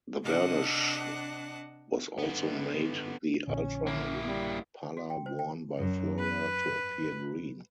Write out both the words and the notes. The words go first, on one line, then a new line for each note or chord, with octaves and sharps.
The varnish also made the ultramarine palla worn by Flora to appear green.
C3 D4 D#5 F#5 A5 F#6
D3 B3
A#1 A#2 D3 C#4
A#3 E4
G3
F#4
G5
C5
G5
F#2
B4